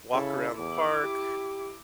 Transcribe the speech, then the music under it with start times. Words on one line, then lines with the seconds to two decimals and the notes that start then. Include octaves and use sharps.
walk around the park,
0.14 C#3 E4 A4
0.58 E2 E4 D6
1.04 G4